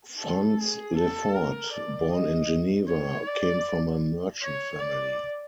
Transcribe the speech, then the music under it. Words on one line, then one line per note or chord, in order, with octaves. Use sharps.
Franz Lefort, born in Geneva, came from a merchant family.
A4
G#4
A4
A#4
D5
D#5
C#5
D5
C#5
D5